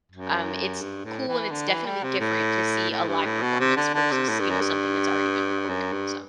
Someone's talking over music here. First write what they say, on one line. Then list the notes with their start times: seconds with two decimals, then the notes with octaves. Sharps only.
um, it's cool and it's definitely different to see a live performance versus, you know, something that's already been recorded, so
0.12 F#2
0.81 G2
1.05 A2
1.28 E3
1.51 D3
1.68 E3
1.86 G3
2.03 C3
2.20 A2
2.90 A2
3.08 G2
3.25 A2
3.42 B2
3.60 C3
3.77 D3
3.94 D3
4.12 C3
4.29 A2
4.40 G2
4.50 F#2
4.61 G2
5.69 F#2
5.92 G2